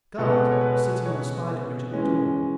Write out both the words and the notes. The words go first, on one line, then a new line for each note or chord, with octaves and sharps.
"The guard was sitting on the spider bridge at the door."
B2 G#3 B3 A4
C#5
B4
C#5
E3 G#3 C#4